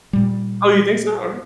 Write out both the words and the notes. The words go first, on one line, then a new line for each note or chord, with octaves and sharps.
Oh, you think so? Okay.
A#2 G3